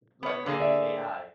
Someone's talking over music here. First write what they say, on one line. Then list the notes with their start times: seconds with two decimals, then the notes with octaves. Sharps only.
Like like, through AI.
0.23 B3 C#5
0.46 D3 A#3 G#4
0.60 D5 E5